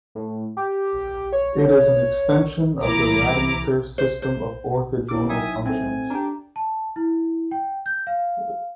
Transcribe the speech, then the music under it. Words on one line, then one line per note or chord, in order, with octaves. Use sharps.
It is an extension of the Rademacher system of orthogonal functions.
A2
G4
C#5
C2 E3 E4 A#5 D6
C5
C5
D#2 E4 D6 E6
F#3 D#4 E5 G5 G#5 D#6
C4 A4 E5 G#5
D4 G4 A#5
A5
E4
G5
G6
F5